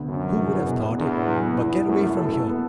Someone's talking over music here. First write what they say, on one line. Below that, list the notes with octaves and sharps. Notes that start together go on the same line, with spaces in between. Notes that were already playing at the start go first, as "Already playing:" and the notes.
Who would have thought it? But get away from here!
Already playing: D2 B3
F#2 D3
F#3
E2
E2
B2
B3
E2 D4
A2
F#3
B3
E2 E3
E3
F#2 A3
E4
F#2 A4
E3
B3